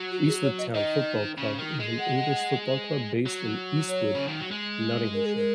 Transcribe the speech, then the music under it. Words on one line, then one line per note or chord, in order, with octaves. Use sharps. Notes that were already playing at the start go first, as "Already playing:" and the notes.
Eastwood Town Football Club was an English football club based in Eastwood, Nottinghamshire.
Already playing: F#3
F#4
G#4
C#5
D#5
D#3 D#5
C#3
D#3
G#3
F#5
F#3
C#5
C#3
D#3
F#3
G#3
A#4
G#4
A#4